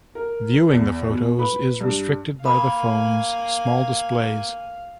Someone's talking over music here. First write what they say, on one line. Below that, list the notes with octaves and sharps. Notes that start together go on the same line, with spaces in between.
Viewing the photos is restricted by the phones' small displays.
A#4
E2
B2
B4
G2
A#3 A#4 F5 G#5 B5 D#6